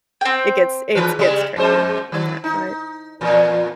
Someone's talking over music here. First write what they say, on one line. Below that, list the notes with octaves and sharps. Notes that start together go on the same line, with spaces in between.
it gets it's gets tricky on that front,
C4 G5
G#2 E3 B4
C#3 G3 G#3
F2 G#3 C5
D#3
D#4
E2 A#2